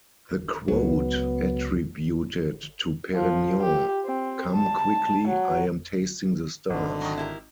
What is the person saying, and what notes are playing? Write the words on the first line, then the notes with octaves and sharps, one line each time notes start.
The quote attributed to Perignon-Come quickly, I am tasting the stars!
C#2 F#3 B3
F3
G4
C4
A5
F#3
G#1 D3
D#3 F#3
E4 G4 A#4